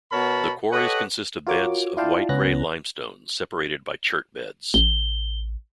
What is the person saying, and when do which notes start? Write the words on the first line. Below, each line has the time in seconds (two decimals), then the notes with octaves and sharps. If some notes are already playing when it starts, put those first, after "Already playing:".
The quarries consist of beds of white-grey limestone separated by chert beds.
0.12 B2 B3 A#4 C#5 A5 B5
0.72 G4 A4 B4 C#5 D#5 F#5
1.47 F4 F#4 A#4 C#5 D6
1.97 E4 F4 D5 F5 G5 A5
2.29 C#2 B3 C#4 F#6 A#6
4.74 A1 G7